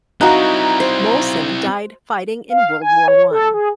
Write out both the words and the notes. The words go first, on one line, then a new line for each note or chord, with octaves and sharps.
Molson died fighting in World War One.
C4 D#4 E4 F#4 F5 A#5 F#6
C5
F5
G#5
C#5
A4
G#4